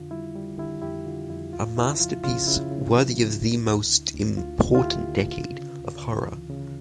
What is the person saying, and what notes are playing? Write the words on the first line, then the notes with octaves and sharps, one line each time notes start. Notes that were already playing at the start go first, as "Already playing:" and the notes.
A masterpiece worthy of the most important decade of horror.
Already playing: F2 D3 F4
G3 E4
G3
D3 E4 G4
F2 E4 G4
D3 F4
F2 E4
C#2 F4
C#3 E4
F3 F4
C#3 F4
C#3 E4
C#3
F3
C#2
D2
D2
D3
D2
D2 F4
D2
F4
A3 E4 G4
D3
C#3 F4
C#3
D2
D2
E3
C#3